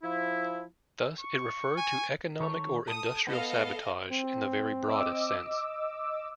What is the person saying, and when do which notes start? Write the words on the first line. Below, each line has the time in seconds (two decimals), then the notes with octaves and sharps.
Thus, it referred to economic or industrial sabotage in the very broadest sense.
0.03 F3 E4
1.20 C#6
1.78 G#5
2.40 D#3 A4 C#5
2.88 A4 D#6
3.27 B3 A4 D#5 F5
4.11 C4
4.88 D#5 D6 E6